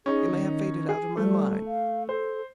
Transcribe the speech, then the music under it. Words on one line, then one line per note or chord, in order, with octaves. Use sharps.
It may have faded out of my mind.
C#4 D#4 G#4
D#3
G#4
G3 A3
F5
A4 C5